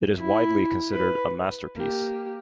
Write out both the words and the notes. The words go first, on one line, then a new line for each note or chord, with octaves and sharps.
It is widely considered a masterpiece.
E4
B4
A#3 G4